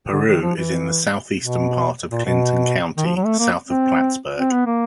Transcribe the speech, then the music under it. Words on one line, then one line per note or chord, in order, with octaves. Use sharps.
Peru is in the southeastern part of Clinton County, south of Plattsburgh.
D3
D#3
F3
E3
B2
A#2
B2
D#3
F3
F#3
A3
A#3
C4
C4
B3
A#3